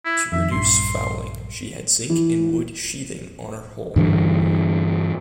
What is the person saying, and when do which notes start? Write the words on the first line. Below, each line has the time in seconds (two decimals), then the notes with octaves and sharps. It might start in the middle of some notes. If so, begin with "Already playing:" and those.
To reduce fouling, she had zinc and wood sheathing on her hull.
0.05 E4
0.32 F2 D#3 E5
0.51 A#1 G2 C6
2.10 E3
3.96 G2 D3 E3 G3